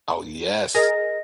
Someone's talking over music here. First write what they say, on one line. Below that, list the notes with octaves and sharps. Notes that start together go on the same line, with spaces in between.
Oh, yes.
G#4 A#4 D#5 A#6